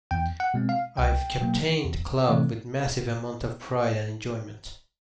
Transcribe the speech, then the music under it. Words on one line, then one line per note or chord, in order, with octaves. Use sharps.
I've captained the club with massive amounts of pride and enjoyment.
E2 G5
F#5
B2 G#3 C4
F5
C2 G5
B2 F#3 A#3
E2
C3 E3 A3 C4